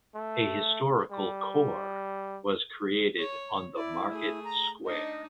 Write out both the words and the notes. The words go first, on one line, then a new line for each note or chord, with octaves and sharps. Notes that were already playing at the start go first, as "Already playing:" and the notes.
A historical core was created on the market square.
A3
G3
C#5
E4 D5
A3 G#4
A#5
D4 D#4 D#5